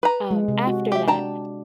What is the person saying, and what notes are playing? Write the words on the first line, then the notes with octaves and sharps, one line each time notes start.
um, after that.
B4 A#5
G#3
C3
F#4
G4 E5
D4 G5 A5 A#5